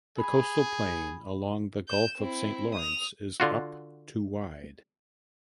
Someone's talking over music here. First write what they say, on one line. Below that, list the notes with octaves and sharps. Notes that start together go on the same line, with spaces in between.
The coastal plain along the Gulf of Saint Lawrence is up to wide.
G#4 B5
G6 E7
C4 E4
D#6 F7
D3 F4 F#4